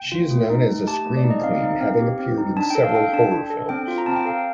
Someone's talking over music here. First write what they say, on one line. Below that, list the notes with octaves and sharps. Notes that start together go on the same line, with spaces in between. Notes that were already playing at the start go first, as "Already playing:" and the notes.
She is known as a scream queen, having appeared in several horror films.
Already playing: G5
F4
A3
D#4
A3
G4 A5
A3
D5
D#4
D#5
C4 F5
D#4
C4
G4
C4
D#4
D4 A5
A4 G5
F5
A4 G5
D4 A5
D4
A4
C4 G5
F4
A#5
C4 A5
G5
A4 F5